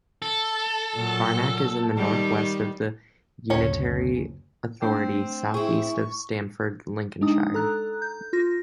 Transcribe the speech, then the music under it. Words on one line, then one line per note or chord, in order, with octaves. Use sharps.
Barnack is in the north-west of the unitary authority, south-east of Stamford, Lincolnshire.
A4
A#2 F#3
D#3 G3
F#1 D2 C#4 C#5
A3 C4 D4
E4 G#4 C#6
G#3 D4 D#4 D#6
A4 A#5 F#6
G6
F4 A#6